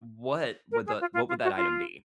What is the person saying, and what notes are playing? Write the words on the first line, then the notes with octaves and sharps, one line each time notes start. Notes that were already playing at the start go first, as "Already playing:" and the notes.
what would the what would that item be?
A#4
G#4
F4
F4
F4
F#4
F4